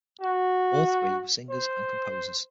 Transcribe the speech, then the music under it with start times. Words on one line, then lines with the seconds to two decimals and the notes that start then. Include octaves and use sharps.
All three were singers and composers.
0.21 F#4
1.51 C5